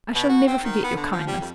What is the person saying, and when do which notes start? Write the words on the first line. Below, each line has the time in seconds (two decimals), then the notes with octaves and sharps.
I shall never forget your kindness.
0.15 B2
0.29 F#4
0.47 C4
0.63 D#3
0.84 B3
0.97 D3
1.12 F3
1.27 G3
1.41 F2